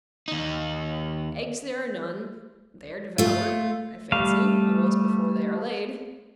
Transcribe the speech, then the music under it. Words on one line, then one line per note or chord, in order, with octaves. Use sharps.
Eggs there are none; they are devoured, I fancy, almost before they are laid.
D#2 D#4
A3 F4
G3 A3 F5